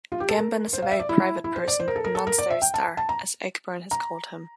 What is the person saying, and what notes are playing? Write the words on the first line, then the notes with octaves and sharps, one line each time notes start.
Gambon is a very private person, a "non-starry star" as Ayckbourn has called him.
F4
G4
A4
A#4
C5
F5
E5
D5
E4
E4
C5
D5
C5
A#4
A4
A#4
A4
A#4
D5
E5
G5
A5
A5
A#5
A#5